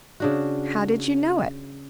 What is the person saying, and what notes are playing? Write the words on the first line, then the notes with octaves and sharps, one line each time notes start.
"How did you know it?"
C#3 D4 F#4